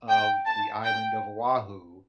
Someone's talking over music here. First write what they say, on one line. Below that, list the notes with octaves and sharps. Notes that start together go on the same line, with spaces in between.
of the island of Oahu
G5
A5
G5